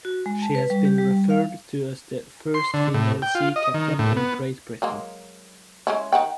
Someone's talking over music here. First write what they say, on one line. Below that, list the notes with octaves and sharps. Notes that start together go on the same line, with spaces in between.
She has been referred to as the first female sea captain in Great Britain.
F#4
G#3
A5
B4
G3
G4
G3
G3
F5
C6
D3
A2
G5
F4
D#5
D#3
A2
B3
F#3 G#3 A#3
G#3 C#4 E4
D#3 F#5 G5